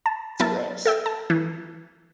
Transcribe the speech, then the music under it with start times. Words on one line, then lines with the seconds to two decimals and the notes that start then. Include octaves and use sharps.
it's gross.
0.06 A5
0.40 F#3 B3 E4 A#4 A5
0.86 A4 E5 G5
1.06 A5
1.30 E3